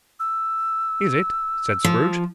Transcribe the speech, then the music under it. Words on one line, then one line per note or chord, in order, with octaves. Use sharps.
'Is it?' said Scrooge.
E6
F3